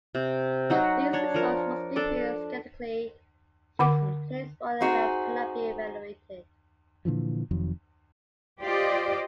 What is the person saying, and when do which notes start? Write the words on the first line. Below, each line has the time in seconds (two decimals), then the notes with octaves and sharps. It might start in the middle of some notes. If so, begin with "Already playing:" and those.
These results must be viewed skeptically since placebo effects cannot be evaluated.
0.15 C3
0.70 F#3 D#4 F#4
1.13 D4 C#5
1.34 F3 A#4
1.96 D4 A4 D6
3.79 D3 F#5 D6
4.81 C4 D#4 F#4 G#4
7.05 A#2 D3 E3 F3
7.51 F1 F2 D#3 F#3
8.60 F4 G4 C5 D5 D#5